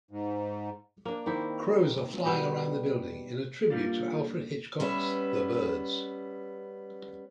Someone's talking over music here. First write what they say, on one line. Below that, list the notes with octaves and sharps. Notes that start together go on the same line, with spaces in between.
Crows are flying around the building, in a tribute to Alfred Hitchcock's "The Birds".
G#2
A#3 D4
D#3 C4 E4
B2 G3 G4 D#5
G3 A#3 D4 F4
G3 B3 C#4 E5